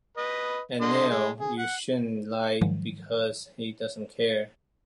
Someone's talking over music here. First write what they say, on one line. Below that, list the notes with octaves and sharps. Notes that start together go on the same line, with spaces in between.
And Neil you shouldn't like, because he doesn't care.
B4 D#5
D3 D#5 C6
G#3
G#4
F#5
G#2 D#3 F3 F#3 G#3